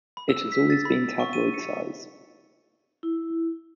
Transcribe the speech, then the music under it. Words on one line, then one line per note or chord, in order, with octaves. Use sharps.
It has always been tabloid-size.
B5
E6
B6
A6
B5
C#6
D#7
C#7
E4